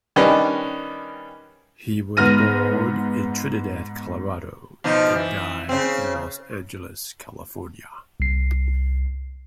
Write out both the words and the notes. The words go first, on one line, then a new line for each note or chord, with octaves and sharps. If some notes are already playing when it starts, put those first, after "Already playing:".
He was born in Trinidad, Colorado and died in Los Angeles, California.
D#3 G3 C#4 D4 B4 D#5
G#2 B3 F6 A#6 D#7
B2 F3 D#4
E3
C#3 C4
C2 C7